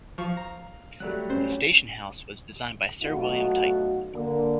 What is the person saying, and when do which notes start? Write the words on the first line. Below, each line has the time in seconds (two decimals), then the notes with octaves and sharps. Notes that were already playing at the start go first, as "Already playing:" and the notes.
The station-house was designed by Sir William Tite.
0.18 F3 F5 C#6
0.37 A#5
1.00 F#3 G3 A3 F#6
1.30 C#4 C5
3.03 B2 F#3 A3 D#4 F4 F#4
4.14 D3 A#3